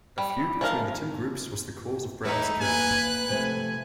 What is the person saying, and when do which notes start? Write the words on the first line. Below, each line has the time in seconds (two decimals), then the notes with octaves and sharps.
A feud between the two groups was the cause of Brown's killing.
0.18 G3
0.61 F3 G#3 A#4 F5
2.24 E2 A3 D#4 E4 B4 C#5
2.60 A#3 B4 G#5 F#6
3.29 C3 F3 A3 G#5